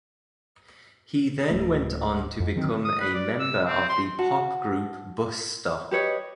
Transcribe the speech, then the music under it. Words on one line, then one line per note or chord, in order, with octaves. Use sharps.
He then went on to become a member of the pop group Bus Stop.
D1 A3
F2
D3 D#3 F#3 C4
D#6
B4
D5
E6
C4
C6
F#4 A5
G4 B4 C#5 D#5